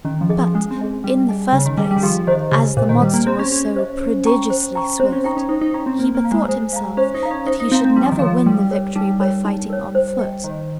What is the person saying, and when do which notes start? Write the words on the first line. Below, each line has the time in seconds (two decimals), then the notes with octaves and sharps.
But, in the first place, as the monster was so prodigiously swift, he bethought himself that he should never win the victory by fighting on foot.
0.05 D#3 C#4
0.21 F3
0.29 G#4 D#5 G#5
0.38 F3
0.54 G#3 C#4
0.71 C4
0.79 G#4 D#5 G#5
1.04 G3 C#4
1.28 G#4 D#5 G#5
1.53 C#3 C#4
1.66 D#3
1.78 G3 G#4 D#5 G#5
1.91 G3
1.96 D#3
2.03 F3 G4
2.27 D#3 C5 D#5
2.52 C#3 G4
2.77 A#2 C5 D#5
2.89 D#3
3.02 G3 G4
3.14 A#3
3.26 C4 C5 D#5
3.39 C#4
3.51 C#4 G4
3.76 C5 D#5
4.01 C5
4.25 G5 A#5 C#6
4.50 C5
4.75 G5 A#5 C#6
5.00 C4 C5
5.12 C#4
5.24 D#4 G5 A#5 C#6
5.37 C#4
5.49 D#4 C5
5.61 D#4
5.74 C#4 G5 A#5 C#6
5.86 C4
5.99 A#3 C5
6.15 A#3
6.24 F5 A#5
6.32 G#3
6.48 G#3 C5
6.73 F5 A#5
6.97 C#4 C5
7.14 D#4
7.23 F5 A#5
7.31 C#4
7.47 D#4 C5
7.60 D#4
7.72 C4 F5 A#5
7.85 C4
7.96 G3 D#4
8.04 F3
8.12 D#3
8.19 F3 A#4 C#5
8.46 G3 D#4
8.71 A#4 C#5
8.95 G3 D#4
9.20 A#4 C#5
9.45 D#4
9.70 A#4 C#5
9.95 C5
10.19 D#5 G5
10.44 D#3 C5